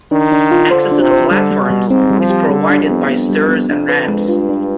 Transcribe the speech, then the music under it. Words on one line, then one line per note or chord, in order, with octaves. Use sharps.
Access to the platforms is provided by stairs and ramps.
D#3 D4
D4
F4
D3 C5
D4
C3
C5
D3 G3
G3
B2
G3
G#2 C4
G3
F3
G4
D3 G3
D4
F2
B3
F2 B3
G3
B3
F2 D4
B4
G#3
G2 F4
D4